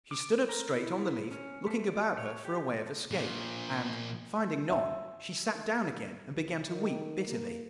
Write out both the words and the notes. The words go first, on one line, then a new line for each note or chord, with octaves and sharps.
She stood up straight on the leaf, looking about her for a way of escape, and, finding none, she sat down again and began to weep bitterly.
D6
A#4
E4
C#4
A3
D5
C#5
G4
A3
A#2 F3
E5
C2
D#3
A#3